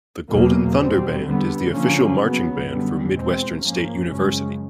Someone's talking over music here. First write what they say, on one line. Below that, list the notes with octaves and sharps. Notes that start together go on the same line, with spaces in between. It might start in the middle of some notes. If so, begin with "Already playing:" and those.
The Golden Thunder Band is the official marching band for Midwestern State University.
E2 B2 F#3 A#3
B2 G3 C4
D3 G3 B3
D3 F3 A#3 C#4
C#3 F#3 B3
F#2 D3 G3 B3
E2 B2 G#3 C4
G#2 F3 A#3 C#4
F#2 C#3 F3 G#3 C#4